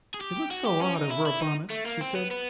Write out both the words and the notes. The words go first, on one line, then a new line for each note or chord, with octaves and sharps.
"It looks so odd over a bonnet," she said.
G#4
G4
F#4
G4
C#4
D#4
E4
E4
D#4
A3
A#3
C4
B3
B3